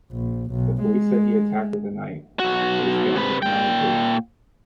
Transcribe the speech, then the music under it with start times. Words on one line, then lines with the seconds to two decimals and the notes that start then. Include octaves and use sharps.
The police said he attacked with a knife, but his family denied this.
0.11 A#1
0.51 B1
0.82 G#3
2.40 B1 F#4
3.16 C3 B4
3.42 A#2 G5